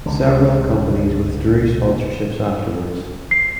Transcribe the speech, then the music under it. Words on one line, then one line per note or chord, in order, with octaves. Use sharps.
Several companies withdrew sponsorships afterwards.
C#2 D3
C7